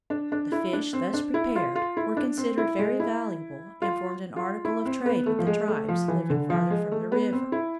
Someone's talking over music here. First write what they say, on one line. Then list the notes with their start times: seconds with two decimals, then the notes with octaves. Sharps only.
The fish thus prepared were considered very valuable and formed an article of trade with the tribes living farther from the river.
0.10 D4
0.32 D4
0.52 E4
0.73 D4
0.93 C4
1.13 D4
1.34 E4
1.56 F4
1.75 F4
1.97 E4
2.17 D4
2.38 C4
2.58 E4
2.79 G#3
3.00 E4
3.82 F4
4.36 F4
4.65 E4
4.85 C4
5.06 B3
5.26 A3
5.39 F3
5.47 G#3
5.67 A3
5.88 F3
6.08 E3
6.30 D3
6.50 F3
6.70 G#3
6.91 A3
7.12 B3
7.33 C4
7.52 E4